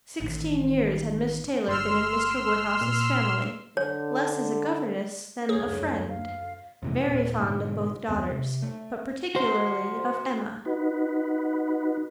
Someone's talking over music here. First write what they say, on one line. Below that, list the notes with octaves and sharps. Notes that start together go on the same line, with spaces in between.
Sixteen years had Miss Taylor been in Mr. Woodhouse's family, less as a governess than a friend, very fond of both daughters, but particularly of Emma.
A1 D#3
G1 C6 E6 F6
A#2
D3 C#5
F#1 D2 G2 G#4 C#5
F5
F2 C3 E3
D#1 A#2
G#2 B2 D3
F#1 D#2 B3 C4
C3
A3
F#4 C5
D#4 F#4 B4